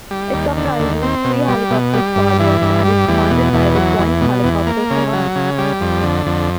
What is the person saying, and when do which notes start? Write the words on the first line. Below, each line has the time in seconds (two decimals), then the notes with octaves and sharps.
It comprises three helicopter squadrons and is commanded by the Joint Helicopter Command.
0.11 G3
0.34 D#2
0.57 D3
0.80 D#2
1.02 C4
1.24 B2
1.48 G3
1.70 B2
1.93 G3
2.16 G2
2.39 E3
2.62 G2
2.85 G3
3.08 E2
3.31 B2
3.53 E2
3.75 F#3
3.99 E2
4.21 B2
4.44 E2
4.67 A#3
4.90 C#3
5.13 F#3
5.36 C#3
5.58 G3
5.81 F2
6.03 D3
6.26 F2